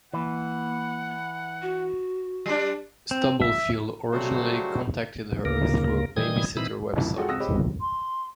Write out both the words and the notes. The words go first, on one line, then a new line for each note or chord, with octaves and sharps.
Stubblefield originally contacted her through a babysitter website.
E3 A#3 F#5
F#4
G3 D4
C4
E5
C#3 F#3 G3 A3 F#4 C5
D2 C#3 A#3 A#4
A#2 D#3 E3 G3 D#6 G#6
A#2 E3 C4 D#4 E4 B5
E1 C2 F2 E3 E4
G#3 F4 F#4 G#4 A4 G5
C#2 C4 D#6 E6 F#6 A#6
G4 G#4 C5 C#5 D#5 B5
C6